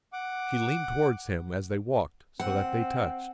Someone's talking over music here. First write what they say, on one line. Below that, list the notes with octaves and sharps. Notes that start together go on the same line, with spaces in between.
She leaned towards him as they walked so that they touched.
F#5 D6
C4 F#5